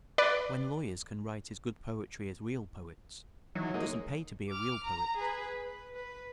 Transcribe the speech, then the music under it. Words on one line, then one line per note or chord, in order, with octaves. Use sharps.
When lawyers can write as good poetry as real poets, it doesn't pay to be a real poet.
B4 D5
D#3 E3 F#3
G#3 A#3 D#4
D6 F6
A#5
G#4 B4
B4
B4